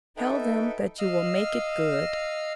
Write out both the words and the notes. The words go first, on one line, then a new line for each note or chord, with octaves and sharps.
Tell them that you will make it good.
D#4 A4 B4 E5 G5
D#5 F5 E6 F6